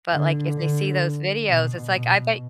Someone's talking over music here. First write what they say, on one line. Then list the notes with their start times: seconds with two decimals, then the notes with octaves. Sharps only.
But, like, if they see those videos it's like I bet
0.13 D3
0.57 D3
1.48 B2
1.92 B2